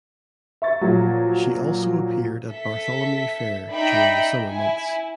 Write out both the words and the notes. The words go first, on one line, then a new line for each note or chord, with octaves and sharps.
She also appeared at Bartholomew Fair during the summer months.
E5 C#6 A6
A#2 F3 F#3
A4 E5 B6
D#4 D5 E5 G5 B5
E4 G#5